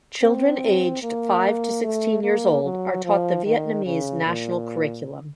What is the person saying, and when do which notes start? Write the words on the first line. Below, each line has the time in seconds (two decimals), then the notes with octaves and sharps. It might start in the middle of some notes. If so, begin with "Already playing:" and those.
Children aged five to sixteen years old are taught the Vietnamese national curriculum.
0.22 C4
1.03 A#3
1.84 A3
2.24 A#3
2.64 F#3
3.05 F3
3.46 D#3
3.86 C#3
4.26 A#2